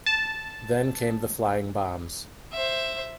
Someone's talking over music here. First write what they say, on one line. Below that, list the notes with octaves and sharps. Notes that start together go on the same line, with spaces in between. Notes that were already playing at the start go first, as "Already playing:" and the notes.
Then came the flying bombs.
A5
C5 E5